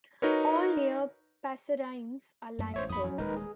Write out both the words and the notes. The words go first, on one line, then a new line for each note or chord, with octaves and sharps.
All near passerines are land birds.
D#4 F#4 A#4 B4 C#5
F#2 A3 A#3
A1 C5 C#5 E5
A1 F2 B5 D#6
F#3 C#4
D#1 G#3 D#4 A#4 B4
G#4